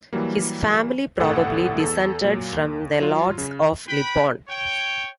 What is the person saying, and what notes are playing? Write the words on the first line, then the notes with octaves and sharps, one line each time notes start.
His family probably descended from the Lords of Lipporn.
E3 F#3 G3 A#3
G1 C2 A2 A4 F#5
E2 A4
A#2 F#3
D#2
F#3 F4
C#3
B4 G5 B5
C#5 G5